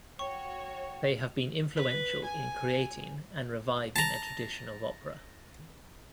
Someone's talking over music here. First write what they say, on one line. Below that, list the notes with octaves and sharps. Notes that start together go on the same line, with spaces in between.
They have been influential in creating and reviving a tradition of opera.
F#4 C#5 G5 C#6
B4
G#5
A5 A#5